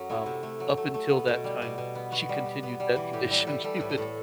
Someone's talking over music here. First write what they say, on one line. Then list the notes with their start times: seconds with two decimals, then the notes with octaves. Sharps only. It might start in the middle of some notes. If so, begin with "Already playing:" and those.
Um, up until that time, she continued that tradition. She would
Already playing: F#2 F#3 A4
0.09 A3 E4
0.26 C3
0.43 A3
0.60 F#3
0.77 A3
0.94 A3
1.10 B3
1.28 B2
1.44 G3
1.62 B2
1.78 B2
1.95 B3
2.12 B3 F#4
2.29 G3
2.46 B3
2.63 B3
2.80 G3
2.96 E3
3.13 A2 G4
3.31 G3 A4
3.47 G3 B4
3.64 G3 A4
3.76 A2 B4
3.89 A4
3.97 A2